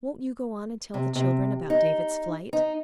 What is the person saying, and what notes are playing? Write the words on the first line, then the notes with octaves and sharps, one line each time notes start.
"Won't you go on and tell the children about David's flight?"
C3
C3
D#4
D#4